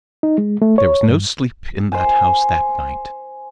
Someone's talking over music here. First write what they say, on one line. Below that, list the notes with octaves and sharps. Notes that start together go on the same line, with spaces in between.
There was no sleep in that house that night.
D#4
G#3
A3
C#5
G2
C5 G#5